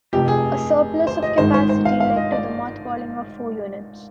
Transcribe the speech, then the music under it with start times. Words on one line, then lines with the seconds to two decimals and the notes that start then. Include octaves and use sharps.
A surplus of capacity led to the mothballing of four units.
0.13 F1 F2 C3 G4
0.28 G#4
1.07 C5
1.23 D#5
1.38 G#1 G#2 D#3 G#3 C5
1.54 C5
1.69 C5
1.85 F5
2.00 F5
2.16 D#5
2.32 D5